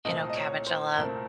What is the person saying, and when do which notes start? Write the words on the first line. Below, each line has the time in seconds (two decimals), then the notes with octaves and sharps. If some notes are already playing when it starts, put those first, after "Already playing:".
you know, cabbage. I love
0.05 C2 A#2 A3 C4 D#5
0.30 D#5
0.36 C#5
0.66 C5
0.96 C2 A#2 A3 C4 A#4